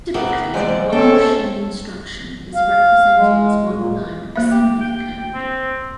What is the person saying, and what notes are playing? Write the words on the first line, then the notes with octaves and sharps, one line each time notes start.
Typically, one machine instruction is represented as one line of assembly code.
C3 G#3 A#3 B3
E3 G#3 C5 D5
B2 C4 C#4 A4 G5
F5
G#3
A#2
A#3 E5
G4
G5
C4